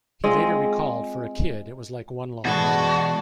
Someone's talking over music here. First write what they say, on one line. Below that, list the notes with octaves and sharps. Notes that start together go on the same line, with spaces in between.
He later recalled, For a kid, it was like one long outing.
G#3 C4 F4 D#5
B2 E3 G#3 F#4 A4 D5